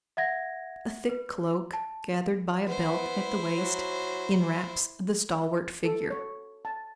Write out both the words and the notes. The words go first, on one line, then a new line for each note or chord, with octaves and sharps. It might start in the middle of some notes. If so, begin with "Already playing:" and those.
A thick cloak, gathered by a belt at the waist, enwraps the stalwart figure.
E5 F#5 G#6 A#6
B4
A5
B3 E4 C5
F#3
A4
C#5
A5